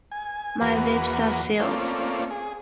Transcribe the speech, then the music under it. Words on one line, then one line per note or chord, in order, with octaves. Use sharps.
My lips are sealed.
G#5
E2 A#3 F#4 B4
A3 A#3 C4 C#4 F4 D5
G#4